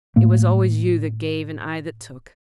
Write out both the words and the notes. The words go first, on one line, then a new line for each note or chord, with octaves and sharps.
It was always you that gave and I that took.
A2 A3 A#3